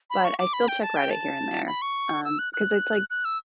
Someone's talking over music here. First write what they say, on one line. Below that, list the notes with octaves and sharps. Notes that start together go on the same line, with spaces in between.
but, I still check Reddit here and there, um, 'cause it's, like,
B5
C#6
D6
B5
G5
A5
G5
A5
B5
C#6
E6
F#6
F#6
F#6
E6